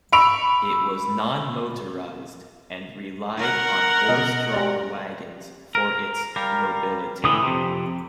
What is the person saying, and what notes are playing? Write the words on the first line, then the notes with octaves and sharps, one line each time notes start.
It was non-motorised and relied on horse-drawn wagons for its mobility.
B5 C#6 E6 D7 F7
A#4 F#5
B2 D#5
G4 D5
A#4
G3 A#4 F5
A2 D3 E3 D#6
F2 C3 G4